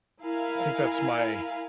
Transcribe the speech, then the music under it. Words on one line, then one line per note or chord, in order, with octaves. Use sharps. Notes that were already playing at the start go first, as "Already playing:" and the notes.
I think that's my
E4 A#4 F5 G#5 B5